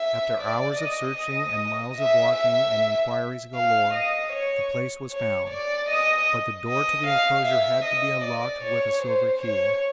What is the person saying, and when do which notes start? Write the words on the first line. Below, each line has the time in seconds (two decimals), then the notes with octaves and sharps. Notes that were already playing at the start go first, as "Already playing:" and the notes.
After hours of searching and miles of walking and inquiries galore, the place was found, but the door to the enclosure had to be unlocked with a silver key.
Already playing: E5
0.41 D5
0.80 D#5
1.98 E5
2.37 E5
3.55 F5
3.94 D#5
4.33 C#5
5.11 C#5
5.50 D5
5.89 D#5
6.68 D#5
7.07 F5
7.46 E5
7.85 D#5
8.25 D5
8.64 C#5
9.03 C5
9.42 C#5